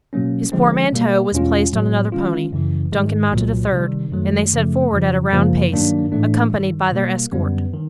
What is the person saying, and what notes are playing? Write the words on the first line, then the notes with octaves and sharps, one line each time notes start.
His portmanteau was placed on another pony, Duncan mounted a third, and they set forward at a round pace, accompanied by their escort.
B2 F#3 A#3 C#4
D3 F3 G#3 C4
B2 G3 A#3
E2 B2 G#3 C#4 F4
A2 F#3 B3
D#3 G#3 C#4 F4
F#2 C#3 E3
G#2 D#3 G#3
C2 A#2 F#3
C3 D#3 G3
F#2 D#3 F#3 A3
F#2 C#3 F3 A3
F2 C#3 F3
F#2 C#3 F3 A#3
G2 D#3 F#3 A#3 D4
A2 E3 A3 D4
G2 D#3 G3
B2 G3 A#3
F#2 D3 G3 B3
D#3